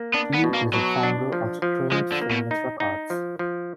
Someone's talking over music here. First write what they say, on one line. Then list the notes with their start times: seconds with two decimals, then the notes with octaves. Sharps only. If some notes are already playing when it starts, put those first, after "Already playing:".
He is a founder of Strange Famous Records.
Already playing: A#3
0.14 B3 D4
0.34 B3
0.44 B2
0.54 A#3
0.73 B2 F#3
1.03 D4
1.32 F3
1.62 F3
1.92 F3 G#3
2.12 D3
2.21 A#3
2.31 B2
2.51 D#4
2.80 D#4
3.10 F3
3.39 F3